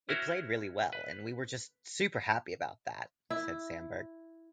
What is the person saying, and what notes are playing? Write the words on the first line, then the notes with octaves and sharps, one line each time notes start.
"It played really well, and we were just super happy about that," said Samberg.
C#4 E4 F#4 A#4 C5
B4
E4